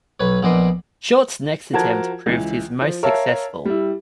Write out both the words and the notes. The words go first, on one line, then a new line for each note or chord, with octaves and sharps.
Short's next attempt proved his most successful.
B1 B4 C#5
A#1 A#2 B3 D4 D#5 C6
F3 F#4 A#4 A5 G#6
C#2 E3
F3
A#4 C#5 E5 F5 A5
G3 E4